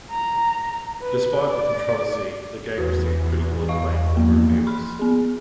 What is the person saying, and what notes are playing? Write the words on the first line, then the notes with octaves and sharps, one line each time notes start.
Despite the controversy, the game received critical acclaim from reviewers.
A#5
B4
D5
E2 F#4 B4
D#5 F5 C#6
F3 A#3
B5 C6 F6
B3 G#4